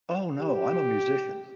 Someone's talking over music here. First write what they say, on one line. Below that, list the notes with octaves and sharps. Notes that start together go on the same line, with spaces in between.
Oh, no, I'm a musician.
G4